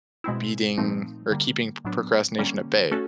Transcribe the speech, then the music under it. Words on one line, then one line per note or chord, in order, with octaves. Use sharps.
beating or keeping procrastination at bay.
B2 G#3 C4 E4
A#2 F3 A3 C4 D#4
D3 G3 A#3
A2 F#3 B3 D4
D3 G3 A#3 C#4
A3 C#4 F#4 A4